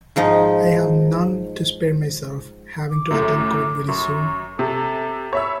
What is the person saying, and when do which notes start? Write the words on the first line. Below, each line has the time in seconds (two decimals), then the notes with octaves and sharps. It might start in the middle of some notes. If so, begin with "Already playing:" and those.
I have none to spare myself, having to attend court very soon.
0.16 G#2 F3 D#4
2.91 D6
3.11 F#2 A2 A3
3.88 F#2 C#6
4.59 C3 A4
5.33 C#5 E5 B5 E6